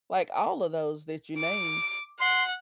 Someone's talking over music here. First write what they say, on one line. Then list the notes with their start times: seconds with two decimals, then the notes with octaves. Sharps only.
Like, all of those that you named,
1.37 D6
2.20 F#5 C6